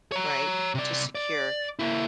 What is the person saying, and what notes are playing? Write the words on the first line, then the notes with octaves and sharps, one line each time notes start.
right, to secure,
C#5 A#5
C3 D5
D5
A#3 E4